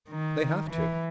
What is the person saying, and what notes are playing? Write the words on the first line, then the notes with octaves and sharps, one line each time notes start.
They have to.
D#3
E3